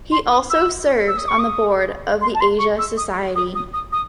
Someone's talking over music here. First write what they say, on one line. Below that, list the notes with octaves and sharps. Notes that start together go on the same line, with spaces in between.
He also serves on the board of the Asia Society.
C6
D#6
E6
E6
D#6
C#6
D#6
C6
A5
C6
C#6
E6
D#6
D#6
D#6
D#6
D#6